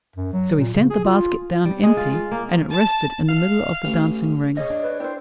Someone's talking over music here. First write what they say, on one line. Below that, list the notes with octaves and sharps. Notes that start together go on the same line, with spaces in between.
So he sent the basket down empty, and it rested in the middle of the dancing ring.
F#2
F#3
A#2
C#3
G#4
F4
G3
G#3
F4
F4
A#3
A5
F5
A1
G#4 C#5 D#5
D4
B4
E4 C5 G5